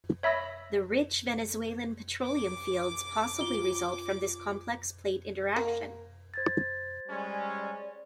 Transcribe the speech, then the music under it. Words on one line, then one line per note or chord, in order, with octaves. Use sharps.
The rich Venezuelan petroleum fields possibly result from this complex plate interaction.
C#5 E5 B5 E6 A#6
D6
F4 G7
A#3
C5 G#6 A6
G3 G#3 C#4 D5